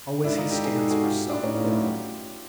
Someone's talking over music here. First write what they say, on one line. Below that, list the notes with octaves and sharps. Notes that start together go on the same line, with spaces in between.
Always he stands for self-betterment.
G#2 D4 E4
D#4 F4
G4 A4
G#4
A4
F#4 G#4
F4 G4
D4 E4
A2 C#4 D#4
D#4 F4
E4 F#4
F4 G4